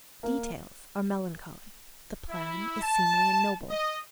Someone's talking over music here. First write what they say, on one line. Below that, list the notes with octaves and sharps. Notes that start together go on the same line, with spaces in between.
Details are melancholy; the plan is seemly and noble.
A#3
E4
A5
D#5